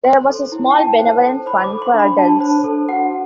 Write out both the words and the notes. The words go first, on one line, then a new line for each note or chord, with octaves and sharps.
There was a small benevolent fund for adults.
C5 C6
A4
E4
G5
E4 A5
C5
A4
C5 B5
D6
A4
C6
D4
B5
D4 A5
C5
A4
F#4 F#5